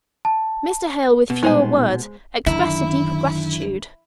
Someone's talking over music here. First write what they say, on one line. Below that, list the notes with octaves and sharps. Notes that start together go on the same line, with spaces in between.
Mr. Hale with fewer words expressed a deeper gratitude.
A5
B2
A#2 G3 G#3 D#4 C5 G#5
F#2 D3 D#3 E4